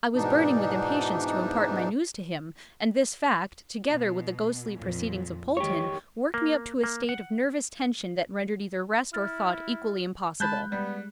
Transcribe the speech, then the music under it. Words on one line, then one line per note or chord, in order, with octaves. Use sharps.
I was burning with impatience to impart my news to him, and this fact, together with the ghostly proceedings of Polton, worked me up to a state of nervous tension that rendered either rest or thought equally impossible.
G#2 B2 E3 D4 D#4
B2
F2 A#2 F3
D#3 F#3 G#3 G4 C#5
A#3
A#3
F#5
E4 F6 A6
G#3 A5 B5 F#6 G6
G3 B3